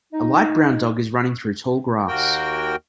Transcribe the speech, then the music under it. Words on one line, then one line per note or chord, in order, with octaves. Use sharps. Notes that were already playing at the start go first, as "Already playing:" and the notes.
A light brown dog is running through tall grass.
D#4
D#2 A#3 F#4 A#4 G5